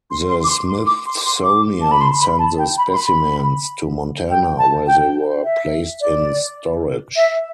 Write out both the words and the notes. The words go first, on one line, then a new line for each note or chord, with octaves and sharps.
The Smithsonian sent the specimens to Montana, where they were placed in storage.
C6
C6
D6
C6
C6
D6
C6
C6
D6
A5
B5
C6
B5
A5
G5
B5
C6
B5
G5
A5
G5
E5
D5
E5